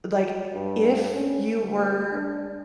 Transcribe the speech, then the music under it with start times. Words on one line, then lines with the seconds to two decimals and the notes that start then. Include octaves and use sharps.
like, if you were
0.12 F#3
0.54 G2
1.15 C#4
1.61 D2
2.12 D4